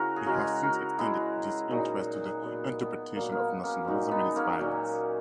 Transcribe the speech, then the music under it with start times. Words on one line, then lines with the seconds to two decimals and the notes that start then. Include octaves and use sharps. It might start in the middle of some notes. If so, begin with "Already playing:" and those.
He has since extended this interest to the interpretation of nationalism and its violence.
Already playing: C#3 E4 F#4 A#4
0.16 G#4
0.26 C#3 G#3 F#4 A#4
0.63 F#4 A#4
0.99 C#3 G#3 E4 G#4
1.71 A#2 F#3 D#4 F#4
2.43 A#2 F#3 B3
2.80 B3
3.16 A#2 F#3 A#3
3.32 A#3
3.39 B3
3.63 A#3 C#4
3.87 A#2 G#3 D#4 F#4
4.11 B3 D#4
4.36 A#3 C#4
4.59 A#2 F#3